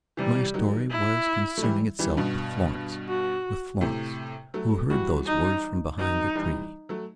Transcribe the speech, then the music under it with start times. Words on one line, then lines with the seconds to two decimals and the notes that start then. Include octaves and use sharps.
And my story was concerning itself with Florence--with Florence, who heard those words from behind the tree.
0.17 C3 E3 G3
0.54 D#3 F#3
0.91 E4
1.58 A3
1.63 E3 G3
1.99 E3 G3
2.17 G2 B2
3.08 F#4
3.81 A2 C3
4.54 F#3 A3
4.90 E3 G3 F#4
5.26 D#4
5.98 D#3 F#3 D#4
6.35 E3 G3
6.89 F#3 A3